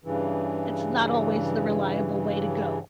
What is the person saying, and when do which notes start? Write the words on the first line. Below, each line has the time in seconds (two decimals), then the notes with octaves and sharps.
it's not always the reliable way to go.
0.05 G2 C#3 E3